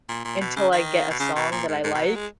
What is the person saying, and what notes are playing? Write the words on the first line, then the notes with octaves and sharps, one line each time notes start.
until I get a song that I like
A#2
A#2
B2
C#3
D#3
B2
C#3
B2
A#2
G#2
G#2
B2
F#3
G#3